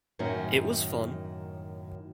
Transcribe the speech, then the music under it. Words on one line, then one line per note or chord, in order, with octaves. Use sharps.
It was fun.
F#2 A2 D#3 C#4 F#4